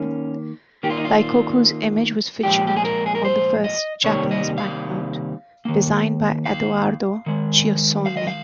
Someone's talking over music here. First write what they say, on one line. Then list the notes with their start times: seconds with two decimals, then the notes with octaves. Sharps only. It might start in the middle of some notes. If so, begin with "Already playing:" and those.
Daikoku's image was featured on the first Japanese bank note, designed by Edoardo Chiossone.
Already playing: D#3 A#3 C#4
0.83 D#3 A#3 G4
0.90 F4
0.97 D#4
1.05 F4
2.43 A#2 F3 G#3 G4
2.67 G4
2.77 G#4
2.84 A#4
3.06 G#4
3.15 A#4
3.25 C5
3.64 D#5
4.04 C3 D#3 G3 A#3 C#5
4.31 D#5
4.58 F5
5.65 D#3 A#3
6.45 F5
7.26 D#3 G#3
8.06 F5
8.17 D#5
8.27 F5